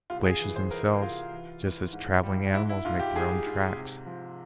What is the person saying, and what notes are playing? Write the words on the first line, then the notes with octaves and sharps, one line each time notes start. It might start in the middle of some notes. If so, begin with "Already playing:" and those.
"The glaciers themselves, just as traveling animals make their own tracks."
C2 F4
G#4
E3
C5
E3 A#4
C2 F4
E3
E3
G#2
G3
G#2 E4
E4
G#2 F4
G4
G#2 G#4
G#2
C3
F3